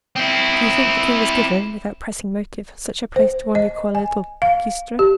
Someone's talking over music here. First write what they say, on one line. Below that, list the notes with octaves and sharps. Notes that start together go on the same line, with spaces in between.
"Do you think the king has given, without pressing motive, such a place to one you call a little cuistre?"
C4 E4
C5
D#5
G#5
F5
G4